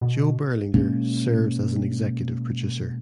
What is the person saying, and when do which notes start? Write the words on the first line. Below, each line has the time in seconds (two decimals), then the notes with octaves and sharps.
Joe Berlinger serves as an executive producer.
0.01 B2
0.74 B2 G#3 A#3 C#4